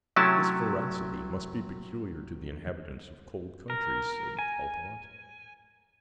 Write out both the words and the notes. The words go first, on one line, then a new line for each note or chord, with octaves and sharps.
"This voracity must be peculiar to the inhabitants of cold countries," said Altamont.
C3 F#3 A3 C#4 E4 A5
A#4
G#5